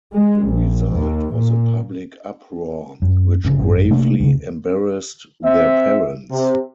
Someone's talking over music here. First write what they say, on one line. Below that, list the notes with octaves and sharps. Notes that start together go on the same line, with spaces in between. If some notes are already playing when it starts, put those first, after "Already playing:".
The result was a public uproar which gravely embarrassed their parents.
G#3
A#1
D#2
A#2
F#2
G1 C#3
G#1 F#2
C3 A3 A#3 D4
D2 C#3
C4 E5
C3